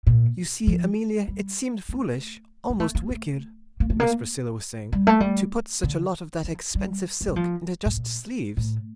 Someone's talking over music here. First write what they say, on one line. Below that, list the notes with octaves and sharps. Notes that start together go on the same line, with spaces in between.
"You see, Amelia, it seemed foolish--almost wicked," Miss Priscilla was saying, "to put such a lot of that expensive silk into just sleeves."
A#2
F3
G3
A3
A#3
A3
A#3
A3
A#3
A3
A#3
G3
A3
G3
D3
F3
G3
A3
G3
F3
A2
A#2
A2